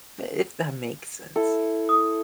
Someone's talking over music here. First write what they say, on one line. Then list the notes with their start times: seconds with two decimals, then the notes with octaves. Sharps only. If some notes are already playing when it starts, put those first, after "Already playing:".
if that makes sense.
1.36 E4 A4
1.89 D#6